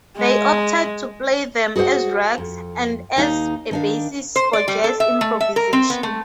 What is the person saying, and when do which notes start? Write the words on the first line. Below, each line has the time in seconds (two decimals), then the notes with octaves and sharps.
They opted to play them as rags and as a basis for jazz improvisation.
0.18 G#3
1.76 F#4 G#4 A#4 C5 F#5
2.38 F2
3.16 D#2 D#4 F5
3.71 D#3 D4 F5
4.36 C5
4.53 D5
4.68 G3
4.84 A4
5.00 E5
5.21 A3
5.41 E5
5.56 A#4
5.73 C4
5.90 B3
6.03 A3